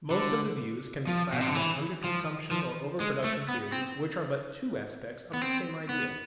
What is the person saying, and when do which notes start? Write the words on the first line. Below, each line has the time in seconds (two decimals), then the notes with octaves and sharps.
Most of the views can be classed as under-consumption or over-production theories, which are but two aspects of the same idea.
0.11 D3
1.07 F3
1.33 B2
1.41 C3
1.47 D3
1.55 E3
2.04 F3
2.51 F3
3.00 G#3
3.24 A3
3.48 B3
3.72 C4
5.34 B3
5.41 C4
5.89 B3